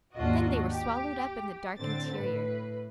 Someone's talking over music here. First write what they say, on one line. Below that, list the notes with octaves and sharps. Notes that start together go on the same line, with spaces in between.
Then they were swallowed up in the dark interior.
D#2 G#2 D4 F4 F#4 D#5
G4
A2 D3 C4 A6
A2 B4